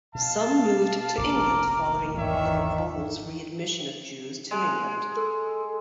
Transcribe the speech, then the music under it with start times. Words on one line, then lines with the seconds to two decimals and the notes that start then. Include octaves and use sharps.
Some moved to England following Oliver Cromwell's readmission of Jews to England.
0.15 B2 F5 A5
1.18 F1 A#1 A#3 A#4 D6
2.18 G#1 E2 D#3 C#5 D5 E5
4.51 G#3
5.17 A4